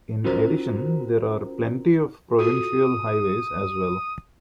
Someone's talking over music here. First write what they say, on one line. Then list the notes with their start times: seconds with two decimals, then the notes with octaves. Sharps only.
In addition, there are plenty of provincial highways as well.
0.24 C#4 F4 F#4 A#4 C5 A#5
2.39 F4 F#4 A4 D#6